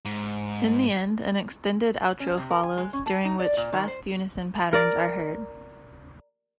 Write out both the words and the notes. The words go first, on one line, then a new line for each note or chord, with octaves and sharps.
In the end, an extended outro follows, during which fast unison patterns are heard.
G#2
C#4
C3
A#4
G#5
G#3
C#4
A5
D#4
D5
A#2
D#3
C5
A#4 D5